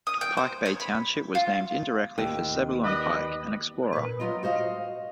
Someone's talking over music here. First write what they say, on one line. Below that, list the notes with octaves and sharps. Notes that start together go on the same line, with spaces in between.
Pike Bay Township was named indirectly for Zebulon Pike, an explorer.
D#6
G5
C5
C#5
B5
F4
D#2
B4 D5 D#5
A#2 B4
F#3 F4 D#5
F#4 C5 D#5 F5